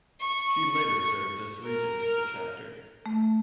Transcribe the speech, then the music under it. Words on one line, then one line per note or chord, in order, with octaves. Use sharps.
She later served as regent of the Chapter.
C#6
A#4
A#4 F6
A3